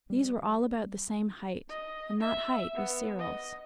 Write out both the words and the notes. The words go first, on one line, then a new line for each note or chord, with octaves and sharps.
These were all about the same height, and that height was Cyril's.
G3
D#5
E5
B3
D#5